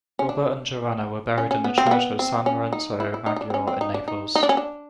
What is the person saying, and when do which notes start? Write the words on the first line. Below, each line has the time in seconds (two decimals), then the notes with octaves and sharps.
Robert and Joanna were buried in the church of San Lorenzo Maggiore in Naples.
0.19 C#4
0.29 D4
1.38 C#4
1.51 C#4
1.64 B3
1.78 C4
1.86 A#3
1.91 B3
2.19 C4
2.46 C#4
2.73 D#4
3.00 E4
3.14 E4
3.26 D#4
3.36 D#4
3.41 D4
3.50 C4
3.54 C#4
3.68 C4
3.81 D#4
3.94 D4
4.08 D#4
4.35 D#4
4.43 D4
4.49 C#4
4.57 D4